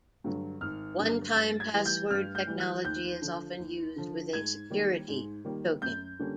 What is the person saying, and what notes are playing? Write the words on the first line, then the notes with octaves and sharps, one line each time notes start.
One-time password technology is often used with a security token.
G2 D3 F#3
G#1 F6
G2 D3 F#3
G2 A6
G#6
E3 G3
G6
G2 F6
G6
E3 G3
F#6
D#2 G6
D3 F3
D#2
D3 F3
G#2 G#6
D#3 G3 A#3
G#2
D#3 G3 A#3
F#2 G6
D3 G3 A#3 C#4